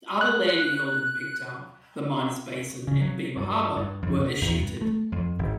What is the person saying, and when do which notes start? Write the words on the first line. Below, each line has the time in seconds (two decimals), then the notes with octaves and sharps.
Other land he held in Pictou, the Minas Basin, and Beaver Harbour were escheated.
0.21 F#6
2.87 C#3
3.01 F#3
3.37 G2
3.76 G2
4.02 F2
4.19 B2
4.41 E2
4.58 G2
4.81 A3
5.12 F2
5.39 G#1